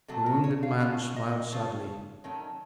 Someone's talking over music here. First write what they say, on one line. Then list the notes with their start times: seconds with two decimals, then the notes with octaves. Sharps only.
The wounded man smiled sadly.
0.08 C3 F#3 A3 A4
0.26 A#4
0.44 C#5
0.63 F5
0.80 C#3 A3 C#4 F4 F5
1.16 D#5
1.52 C#3 A3 C#4 F4
2.24 D#3 F#3 A3 C#4